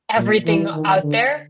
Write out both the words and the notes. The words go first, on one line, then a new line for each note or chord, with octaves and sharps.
everything out there.
A#2
E3
D#3
D3